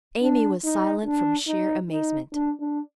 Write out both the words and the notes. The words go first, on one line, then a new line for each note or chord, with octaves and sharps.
Amy was silent from sheer amazement.
D4
D#4
D4
D#4
D#4
D4
D4